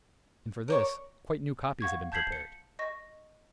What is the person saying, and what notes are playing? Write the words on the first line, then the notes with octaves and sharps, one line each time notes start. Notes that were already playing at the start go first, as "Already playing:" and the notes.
And for this, quite new copies had been prepared.
A#4 C#5 D5 C#6
F5 F#5 C#6 G#6
A5 G6 G#6 B6 C7 F#7
C#7
D#5 C#6 A#6